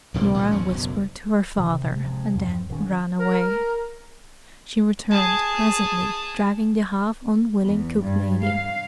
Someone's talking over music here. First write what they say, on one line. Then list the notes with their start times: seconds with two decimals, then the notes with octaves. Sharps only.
Norah whispered to her father, and then ran away. She returned, presently, dragging the half-unwilling cook-lady.
0.14 D2 C3 F3 A#3
0.34 A#2 E3 G3 A3
0.51 E2 F3 C#4
0.68 F#1 B1 F#2
1.58 C3 D#3
1.84 C3
2.04 C3 F3 G3 G#3
2.35 E2 G2 C4
2.69 D#1 D#3 C#4
3.19 A#4
5.11 G#4 A5
7.62 E2
7.99 G2
8.41 F5